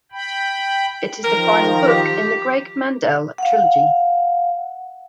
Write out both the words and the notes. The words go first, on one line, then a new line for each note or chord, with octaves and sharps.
It is the final book in the Greg Mandel trilogy.
G5 B5
D#3 F3 A#4 A#5
G4
F5 F#5